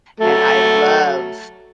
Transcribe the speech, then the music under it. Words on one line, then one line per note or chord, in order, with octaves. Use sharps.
and I love
F#3 A3